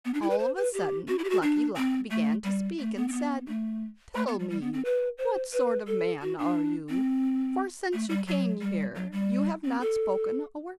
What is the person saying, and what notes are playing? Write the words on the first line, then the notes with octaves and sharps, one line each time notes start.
All of a sudden Lucky Luck began to speak and said: 'Tell me, what sort of man are you, for since you came here you have not spoken a word?'
B3
D4
E4
B4
C5
B4
G4
F#4
E4
G4
F#4
D4
C4
A3
G3
A3
B3
C4
B3
A3
A3
B3
G3
G3
B3
C4
B4
C5
B4
A4
F#4
D4
C4
A3
G3
F#3
G3
F#3
G3
C4
A4